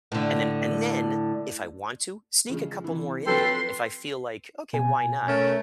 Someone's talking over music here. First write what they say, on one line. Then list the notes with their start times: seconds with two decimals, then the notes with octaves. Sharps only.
and then and then if I want to sneak a couple more in there, if I feel like, "Okay, why not?"
0.12 A2 D3
2.49 C#3 F3 G#3
2.84 C3 E3
3.27 F3 F#3 C4 G4 A4 B4 C6
4.73 B2 G#5
5.28 A3 C#4 A#4